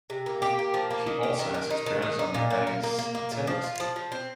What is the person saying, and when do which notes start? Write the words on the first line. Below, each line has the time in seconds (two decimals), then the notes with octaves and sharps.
He also has experience on the bass, and tin whistle.
0.10 C3
0.26 A#3
0.42 G4
0.59 A#3
0.74 F3
0.91 A#3
1.07 D#3
1.23 G4
1.39 D#3
1.54 D#3
1.70 D#4
1.86 D#3
2.02 D#3
2.19 D#4
2.34 A#2
2.50 A#3
2.67 A#3
2.83 A#3
2.99 A#3
3.15 A#3
3.32 A#2
3.47 F3
3.64 F4
3.80 F3
3.96 F3
4.12 C4